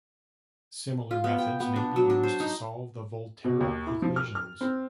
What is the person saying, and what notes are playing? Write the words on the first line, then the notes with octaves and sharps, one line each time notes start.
Similar methods may be used to solve the Volterra equations.
F4
B3
G5
B3
D4
F#3
D4
C5
D#4
B2
D#2
E4
F3
F6
F6
C4